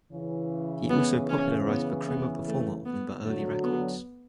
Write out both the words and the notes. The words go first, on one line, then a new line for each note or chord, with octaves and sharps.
He also popularised the Crumar Performer on the early records.
C#3 E3
B3
C#4
B3
B3
A3
B3
D3 F#3 A3
B3